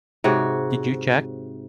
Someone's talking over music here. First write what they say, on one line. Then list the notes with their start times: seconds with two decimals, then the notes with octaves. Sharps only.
Did you check?
0.24 G#2 C3 F#4 C#5